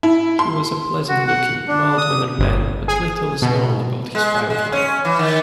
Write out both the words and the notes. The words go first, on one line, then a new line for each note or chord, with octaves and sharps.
He was a pleasant-looking, mild-mannered man, but little is known about his private life.
E4
C6
F#4
F#5
D4
D#6
G1
G#4
B2
G#3
G#3
C#4
E3
D#3